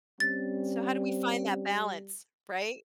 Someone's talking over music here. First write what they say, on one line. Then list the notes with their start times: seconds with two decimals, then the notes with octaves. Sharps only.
So how do we find that balance, right?
0.20 G3 C4 C#4 A6